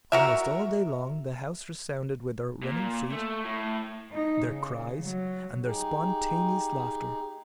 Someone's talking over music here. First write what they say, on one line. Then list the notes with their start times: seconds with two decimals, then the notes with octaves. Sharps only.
Almost all day long the house resounded with their running feet, their cries, and their spontaneous laughter.
0.12 F#4 A#4 E5
2.64 A#2
3.12 A3
3.45 A2
4.12 D#4
4.47 C#3
5.02 F#3
5.63 D#4 G4 G#4